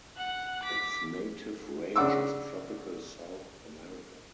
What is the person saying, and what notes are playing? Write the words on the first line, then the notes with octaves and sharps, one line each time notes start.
Its native range is tropical South America.
F#5 F#6
D6 B6
C#3 D4 F#5 D6 E6